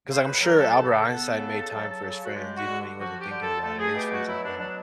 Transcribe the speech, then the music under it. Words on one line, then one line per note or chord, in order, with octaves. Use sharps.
'cause I'm sure Albert Einstein made time for his friends even when he wasn't thinking about it, his friends and family,
C#3 C5
B4
F#3 A#4
A4
C#3 A4
A4
B3 A4
C#3
F#3
C#3
F#4
G#3 G4
F#4
D3
F3 F#4
G4
D3
A4
A3 A4
G#4
B2 G4
F#4
F#3 E4
D4
B2 D4